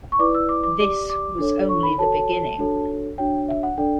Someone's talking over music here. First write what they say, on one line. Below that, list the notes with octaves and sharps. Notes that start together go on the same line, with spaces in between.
This was only the beginning.
C#6
E4 B4 D5 D6
E6
D6
D6
G4 D5 D6
D6
D4 A4 C#5
C#6
B5
F#4 A4 C#5 A5
D4 F#4 A4 C#5
D4 F#4 C#5 G5
E5
F#5
D4 A4 D5 G5